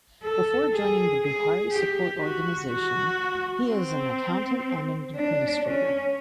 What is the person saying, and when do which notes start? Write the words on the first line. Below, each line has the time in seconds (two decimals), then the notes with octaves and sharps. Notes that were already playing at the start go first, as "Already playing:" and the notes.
Before joining the Buhari Support Organisation He is an accountant and an administrator.
0.23 A4
0.73 G#4
1.22 G#4
1.72 G4
2.21 F#4
2.70 F#4
3.68 C4
5.15 D4
5.65 C#4